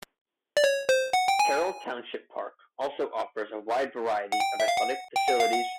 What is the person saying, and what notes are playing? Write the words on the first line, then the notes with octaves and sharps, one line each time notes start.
Carroll Township Park also offers a wide variety of athletic facilities.
D5
C#5
C5
F#5
G5
G#5
F#5
G5
E5
F5
F#5
G5
F#5
F5
F#5